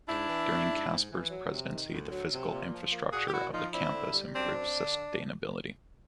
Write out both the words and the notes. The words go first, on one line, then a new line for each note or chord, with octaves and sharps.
During Casper's presidency, the physical infrastructure of the campus improved substantially.
G#2 D4 E4
E3
A3
G#2
G#2
E3
F#3
C3
D#3
D2
F#3
C3
A#2
F3
A#3
A#2 F#4 G#4
G4
A#2 E4 F#4
F3 D#4 F4
C4 D4 E4
D3
G3
F#2 C4 D4
C4
D3